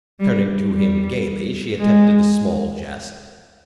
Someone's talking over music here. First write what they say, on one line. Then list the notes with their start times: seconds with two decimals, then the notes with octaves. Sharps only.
Turning to him gaily, she attempted a small jest.
0.20 G3
0.73 G3
1.79 G#3